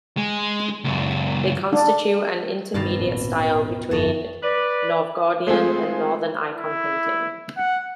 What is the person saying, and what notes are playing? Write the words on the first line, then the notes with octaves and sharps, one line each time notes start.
They constitute an intermediate style between Novgorodian and Northern icon painting.
G#3
C#2 F#2
D4
G2 B2 D#3 A5
D#1 G#1
G1 F2 A3 F#4
B4 D5
G#3 A3 C4 F4 G#4
E4
F#5